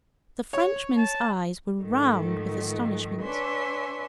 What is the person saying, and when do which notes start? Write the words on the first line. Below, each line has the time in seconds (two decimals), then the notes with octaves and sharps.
The Frenchman's eyes were round with astonishment.
0.53 C#5
0.97 A5
1.83 G#2 D#3 F3 A3
3.22 D4 B4 C#5 E5 G#5 C6